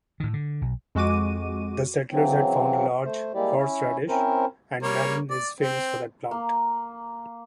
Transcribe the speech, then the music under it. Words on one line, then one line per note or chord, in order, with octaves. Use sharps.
The settlers had found a large horseradish, and Malin is famous for that plant.
A2 D#3
D3
B1
F2 G#3 F#4 D6 D#7
C#3 E3 F#3 C4
A3 C5
G3 G#3 A#3 E4 G4 D5
C#4 E4
C4 C#4 E4 A#4 C5
G3 A#3 C#5
D5
C4
A#3